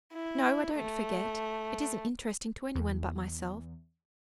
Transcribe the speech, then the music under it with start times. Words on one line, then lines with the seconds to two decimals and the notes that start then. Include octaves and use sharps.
'No, I don't forget; it isn't interesting to anyone but myself.
0.13 E4
0.75 A3
2.75 E2